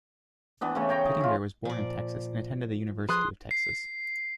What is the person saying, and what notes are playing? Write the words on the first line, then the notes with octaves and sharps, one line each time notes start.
Pittenger was born in Texas and attended the University of Texas.
E3 B3 D4
C#3 E3 A3 C#5
C#5 G5 A#5 C#6
G#4
E4 F4
A#2 F3 D5
F3 G#4 A4 B4 C6 D#6 F#6
C7